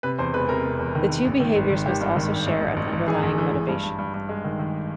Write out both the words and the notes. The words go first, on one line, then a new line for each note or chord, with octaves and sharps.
The two behaviors must also share an underlying motivation.
C3 B4
E2 C5
E1 B4
C3 A#4
C3
E2
D#3
D#3
G#1
D#3
G#1
D#3
D#3 G4
G2
D#3
G#1
A1
A1
A1
A1
E3 G#4
A1
E3
A1
G2
G2
G2
G2
G#3
D#3
D#3